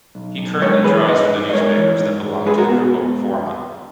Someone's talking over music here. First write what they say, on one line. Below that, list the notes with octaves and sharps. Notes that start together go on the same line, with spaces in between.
He currently draws for the newspapers that belong to the Grupo Reforma.
B1
B1
G#3 A#4 C#5
E3 G#4 B4
G#2 B4 D#5
G#2
D#5
G#3 A#4 C#5
E3
G#2
G#2
G#3 G#4 B4
F#4 A#4
B2 B3